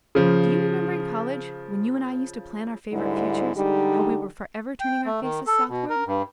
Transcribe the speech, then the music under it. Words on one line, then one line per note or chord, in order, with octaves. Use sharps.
Do you remember in college, when you and I used to plan our favorite futures, how we were forever turning our faces southward?
C#3 F3
D2 G#2 D3 G3 E4
D3 G3 G#3 D#4 G4
G5
A3
D#3
A4
B2
A#4
G2